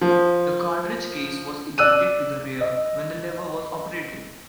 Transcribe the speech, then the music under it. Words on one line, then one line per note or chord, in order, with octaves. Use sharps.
The cartridge case was ejected to the rear when the lever was operated.
F3
D5 E6 F#6 D#7
D#5